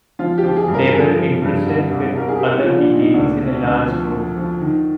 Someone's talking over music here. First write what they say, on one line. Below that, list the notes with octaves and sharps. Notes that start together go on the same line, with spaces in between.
They were imprisoned with other detainees in a large room.
F3 F4
G4
F3
G#4
G2
A#4
F3 G#4
F3
G2
C2
C2
C2 A#4
G#4
C2 G4
F4
F3
D4
A#2
D#4
D2 D4
C3
D2
F3
F3
F3
D#3